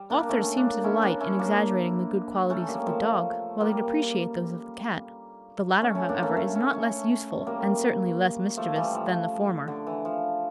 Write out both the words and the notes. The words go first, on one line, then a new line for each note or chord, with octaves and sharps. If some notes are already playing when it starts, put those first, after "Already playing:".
"Authors seem to delight in exaggerating the good qualities of the Dog, while they depreciate those of the Cat; the latter, however, is not less useful, and certainly less mischievous, than the former."
Already playing: G3
A#3 D4
A3 C#4
A#3 D4
C#4 E4
A#3 D4
C#4 E4
A#3 D4
A3 C#4
G3 A#3
F3 A3
G3 A#3
A3 C#4
C#4 E4
A#3 D4
A3 C#4
A3 C#4
A3 C#4
A3 C#4
G3 A#3
F3 A3
E3 G3
F3
D3
E3
F3